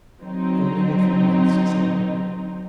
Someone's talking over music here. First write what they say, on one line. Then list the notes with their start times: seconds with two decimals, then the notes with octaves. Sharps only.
'Only a few months,' said Mildred.
0.19 D3 F#3 C4 D#4